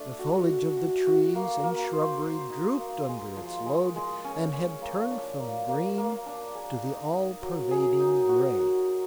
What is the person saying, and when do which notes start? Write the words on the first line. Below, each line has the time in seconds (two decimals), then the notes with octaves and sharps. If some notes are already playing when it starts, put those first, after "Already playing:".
The foliage of the trees and shrubbery drooped under its load and had turned from green to the all-pervading gray.
Already playing: A3 D4
0.19 F#4
0.48 F#4
0.77 F#4
1.06 F#4
1.35 A#3
1.64 A#3
1.93 C5
2.21 C5
2.50 D#4
2.79 A#3
3.09 G#3
3.36 F3
3.66 G#3
3.95 G#3
4.24 C#4
4.53 C#4
4.82 A#3
5.11 D4
5.40 A#3
5.68 A#3
5.98 A#3
6.26 D4
6.55 G#4
6.84 D#4
7.12 D#4
7.42 F#3
7.71 G#4
8.00 D#4
8.29 F#4
8.58 D#4
8.87 D#4